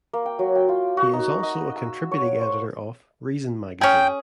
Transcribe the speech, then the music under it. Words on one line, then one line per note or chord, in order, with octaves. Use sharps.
He is also a contributing editor of "Reason" magazine.
A#3
G5
F#3
G5
F4
F#4
D#4
D#5
E6
C#5
C5
C#4 G#4 G5